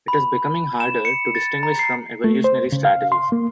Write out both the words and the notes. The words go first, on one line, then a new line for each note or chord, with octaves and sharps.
It is becoming harder to distinguish from evolutionary strategies.
B5
E7
C#7
A6
A#5
C7
A3
C5
C#3
F5
C6
A#3